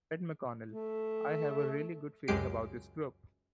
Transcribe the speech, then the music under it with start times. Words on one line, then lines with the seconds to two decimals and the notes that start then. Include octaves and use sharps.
Said McConnell, I have a really good feeling about this group.
0.72 A3
2.28 C#2 F#2 G#3 G4 C7 D7